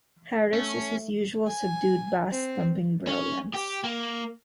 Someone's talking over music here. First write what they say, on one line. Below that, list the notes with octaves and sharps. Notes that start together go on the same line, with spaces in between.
Harris is his usual subdued bass thumping brilliance.
A3 C#4
G#5
C4
C#4
G4
A#3